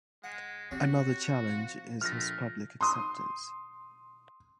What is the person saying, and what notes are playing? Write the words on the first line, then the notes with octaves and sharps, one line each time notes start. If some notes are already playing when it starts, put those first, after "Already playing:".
Another challenge is his public acceptance.
G#3 F#5
C4 F#4 G4 C#5
F3
A#1 A3 F6 A#6
C6 D#6